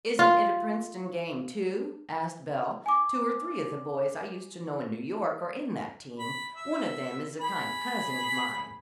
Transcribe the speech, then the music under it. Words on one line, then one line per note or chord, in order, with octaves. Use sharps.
"Isn't it a Princeton game, too," asked Belle, "two or three of the boys I used to know in New York are in that team, one of them is a kind of cousin of mine."
F4
G#5 D6
B5
E5
G#4 B5